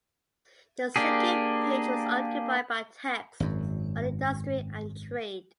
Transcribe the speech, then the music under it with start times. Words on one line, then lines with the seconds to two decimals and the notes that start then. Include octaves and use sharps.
The second page was occupied by texts on "Industry and Trade".
0.96 A#3 D4 G4 G#4
3.40 G#1 F#2